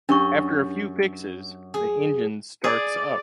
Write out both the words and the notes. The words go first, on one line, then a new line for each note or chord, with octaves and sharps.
After a few fixes, the engines starts up.
F#2 D4 G4 C#6
G#4
G#4 D5